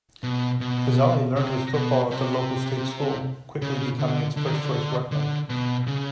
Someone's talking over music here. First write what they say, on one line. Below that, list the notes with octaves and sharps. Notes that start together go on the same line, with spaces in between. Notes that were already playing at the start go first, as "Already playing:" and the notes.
Cazaly learnt his football at the local state school, quickly becoming its first-choice ruckman.
B2
B2
C3
B2
C3
C#3
D3
D3
D#3
D3
D3
B2
C#3